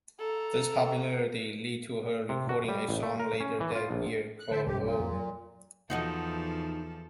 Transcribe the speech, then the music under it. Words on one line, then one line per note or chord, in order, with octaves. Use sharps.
This popularity led to her recording a song later that year called Oh!
A4 A#5
C3
F#4
G3
A1
A3
A#4
C#4
E3
F4
A#1
F#6
D3 C5 E5 A5
B1 G2 C#4 G4
A#2
F2
F#3
E2 F3 D#4 F#4 A4 D#5